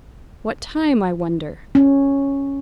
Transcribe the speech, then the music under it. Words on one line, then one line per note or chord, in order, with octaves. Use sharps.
What time, I wonder.
C#4